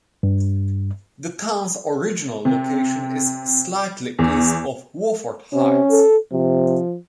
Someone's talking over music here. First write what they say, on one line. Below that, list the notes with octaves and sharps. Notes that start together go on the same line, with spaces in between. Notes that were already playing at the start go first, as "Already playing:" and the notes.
The town's original location is slightly east of Wofford Heights.
G2
C3
E2
C3 C#4
A4
C3 F3